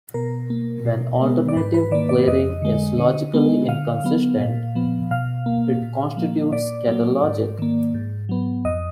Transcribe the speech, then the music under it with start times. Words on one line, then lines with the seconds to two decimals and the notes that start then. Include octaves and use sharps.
When alternative pleading is logically inconsistent, it constitutes kettle logic.
0.14 B2 A#4
0.50 A#3
0.85 B2
1.21 G#3 B3
1.48 D5
1.56 G#2 B4
1.74 B4
1.91 D#3 A#3 D5
2.09 D5
2.27 F2 D#5
2.62 D3 G#3
2.98 D3
3.33 G#3 B3
3.68 D3 F5
4.04 F#3 B3
4.40 A#2
4.75 F3 B3
5.11 B2 F5
5.46 A#3
5.82 A#2
6.17 F3 A#3
6.52 A#2 D5
6.87 F#3 A#3
7.24 G#2
7.59 D#3 A#3
7.94 G#2
8.29 F#3 B3
8.65 F2 D#5